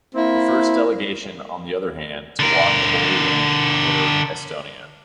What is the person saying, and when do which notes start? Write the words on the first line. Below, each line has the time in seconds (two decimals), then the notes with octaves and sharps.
The first delegation on the other hand to walk the Holy Land were Estonia.
0.14 A#3 C4 E4
2.40 D3 A#4